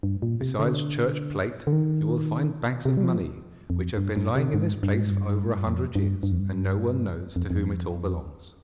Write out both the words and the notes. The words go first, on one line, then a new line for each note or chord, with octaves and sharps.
Besides church plate, you will find bags of money, which have been lying in this place for over a hundred years, and no one knows to whom it all belongs.
G2
A#2
C3
D3
D3
D#3
C3
G3
F3
F2
G2
G2
C3
G#2
G2
G#2
G2
G#2
G2
F2
G2
G2
F2
G2
F2
F2